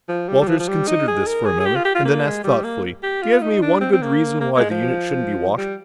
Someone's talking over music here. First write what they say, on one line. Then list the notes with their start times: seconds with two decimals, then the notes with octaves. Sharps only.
Walters considered this for a moment and then asked thoughtfully, "Give me one good reason why the unit shouldn't be washed out."
0.09 F3
0.29 G3
0.41 G3
0.48 F3
0.59 F3
0.68 G3
0.88 D#4
1.08 G#4
1.27 A#4
1.46 G#4
1.60 G#4
1.66 G4
1.75 F4
1.85 G4
1.95 F4
2.05 A#3
2.25 G#3
2.44 G3
2.64 A#3
3.03 G4
3.22 F4
3.42 D#4
3.62 D4
3.81 C4
3.93 C4
4.02 A#3
4.41 A#3
4.56 A#3
4.59 G#3
4.70 F3
5.58 G3